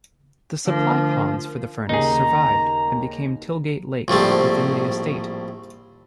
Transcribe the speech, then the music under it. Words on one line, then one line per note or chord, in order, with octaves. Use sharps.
The supply ponds for the furnace survived and became "Tilgate Lake" within the estate.
D3 F3 A3 D4 A#4
D#2 C#3 D#4 G4 G#4 A#5
A#1 A2 G3 C4